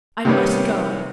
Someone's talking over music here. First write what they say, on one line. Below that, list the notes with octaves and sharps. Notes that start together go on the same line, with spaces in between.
I must go ...
C3 D#3 G3 B3 C#4